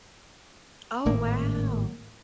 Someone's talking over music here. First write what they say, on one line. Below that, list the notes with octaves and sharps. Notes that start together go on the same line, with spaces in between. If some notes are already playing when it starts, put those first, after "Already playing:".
Oh, wow!
G#1 A2 A#3